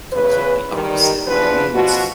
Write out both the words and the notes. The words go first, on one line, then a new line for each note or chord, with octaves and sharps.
completely opposite, but it means
E2 C#3 B4
D#3 G3
E2 F3 D4 B4
B2 F3 F#4